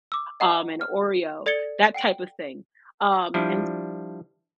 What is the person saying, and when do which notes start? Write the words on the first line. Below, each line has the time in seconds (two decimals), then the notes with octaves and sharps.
um, an Oreo, that type of thing, um, and
0.12 D6 E6
0.40 D#5 F#5 A#5
0.81 F6
1.46 A4 D5 G#6 A6 C#7 G7
1.94 F#5 G5 D7 F#7
3.34 F3 G3 D4 E4